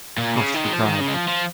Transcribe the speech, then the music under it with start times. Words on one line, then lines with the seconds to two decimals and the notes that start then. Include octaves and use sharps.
"Hush!" he cried.
0.18 A#2
0.36 C#3
0.54 D#3
0.64 G#3
0.73 F3
0.86 D#3
1.00 C#3
1.07 G#3
1.13 F3
1.28 F3